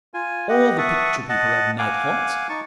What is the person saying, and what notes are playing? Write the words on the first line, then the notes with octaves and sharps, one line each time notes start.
All the picture people have night haunts.
F4 G#5
G4 D#5 F#5
E5 F#5 A5 C#6 D#6
D#5 F#5 A5
F5 F#5 G#5 D6
D#4 A5 C#6